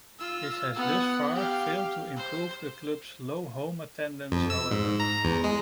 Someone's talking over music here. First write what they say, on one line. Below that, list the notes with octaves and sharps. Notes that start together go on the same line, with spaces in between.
This has thus far failed to improve the club's low home attendance, however.
F4 E6
B3 F#5
G4 F5
C5
F2
E6
G#2
A#5
E2
G#3